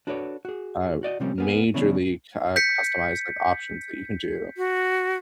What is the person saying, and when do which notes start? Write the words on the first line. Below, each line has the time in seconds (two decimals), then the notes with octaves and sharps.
uh, majorly, uh, c customized, like, options that you can do
0.07 D4 F#4 A4 B4 C#5 D5
0.45 F#4 G#4
1.03 F#4 D5 D#5
1.20 C3 F3 G3 A#3 C4 C#4
1.38 A#3 B3 G#4
1.74 C#3 E3 F#3 B3 C#4 D4
2.56 G6 B6 C#7
4.57 F#4